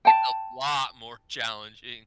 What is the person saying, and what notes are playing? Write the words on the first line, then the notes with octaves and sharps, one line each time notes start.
It's a lot more challenging.
G5 A5